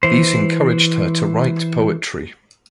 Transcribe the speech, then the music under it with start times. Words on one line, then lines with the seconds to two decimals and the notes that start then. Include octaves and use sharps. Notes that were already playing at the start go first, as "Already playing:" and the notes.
These encouraged her to write poetry.
0.03 E3 C5